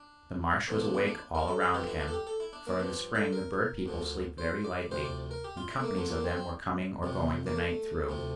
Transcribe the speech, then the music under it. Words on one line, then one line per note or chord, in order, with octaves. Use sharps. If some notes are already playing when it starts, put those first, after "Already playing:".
The marsh was awake all round him, for in the spring the Bird People sleep very lightly, and companies of them were coming or going the night through.
Already playing: D4
E2 D3 F3
D4
E4
D4
A#4
A4
A4
G2 D3 F3 G4
E4
D4
A4
G4
A4
E4
D4
A#3
G2 F3 D4
A4
A#4
D2 D3 F3
C5
D5
D2 C3 F3 C5
D5
A#4
G4
F4
E4
A3
A#3
F2 D3 F3 A3
A#3
C4
C4
C2 C3 F3
A#3
A3
D2 C3 F3